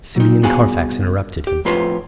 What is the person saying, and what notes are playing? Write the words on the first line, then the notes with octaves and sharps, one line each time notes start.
Simeon Carfax interrupted him.
F#3 D#4
C2 B3 F#4 G#4 F5 G#5
G4
F2 A2 F4 B4 C#5 C6